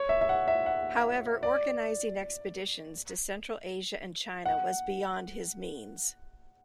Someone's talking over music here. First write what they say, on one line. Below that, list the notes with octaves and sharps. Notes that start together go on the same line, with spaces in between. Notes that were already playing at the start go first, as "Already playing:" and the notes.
However, organising expeditions to Central Asia and China was beyond his means.
Already playing: C#5
E5
E5
F#5
E5
F#5
D5
F#5